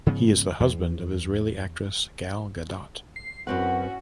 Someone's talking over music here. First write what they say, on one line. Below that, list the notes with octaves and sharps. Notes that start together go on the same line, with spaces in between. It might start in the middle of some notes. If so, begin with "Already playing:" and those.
He is the husband of Israeli actress Gal Gadot.
G#2 C#3 F3 B3
E2
C7
F#2 C4 C#4 E4 F#4 B4 F#5